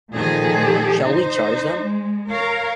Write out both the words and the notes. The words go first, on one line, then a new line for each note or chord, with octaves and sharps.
Shall we charge them?
A#2 D#3 F3 G#4 A4
D#4 C5
G#3
A#4 C#5 F5